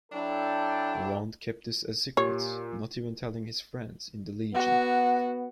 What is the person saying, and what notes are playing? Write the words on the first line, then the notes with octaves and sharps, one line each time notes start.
Rond kept this a secret, not even telling his friends in the Legion.
F#3 D4 E4 A4 G5
A#2 G4 C#5
B3 F#4